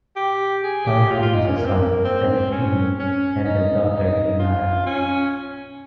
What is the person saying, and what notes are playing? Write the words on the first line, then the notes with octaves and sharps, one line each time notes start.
Tarhunt has a son, Telepinu and a daughter, Inara.
G4
G#4
G4
F4
F4
D#4
C#4
A#3
C4
A#3
C4
C#4
C#4
D#4
D#4
F4
C#4